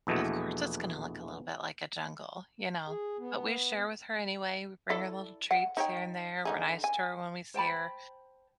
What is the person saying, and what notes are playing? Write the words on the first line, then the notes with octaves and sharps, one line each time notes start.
Of course, it's gonna look a little bit like a jungle, you know? But we share with her anyway. We bring her little treats here and there. We're nice to her when we see her.
A#1 E2 B2 A3
G#4
B3
E4 A4 D5
F#5
D#4 C#5 G5
D3 D#4 G#4
G#5
C5 G5 A5 B5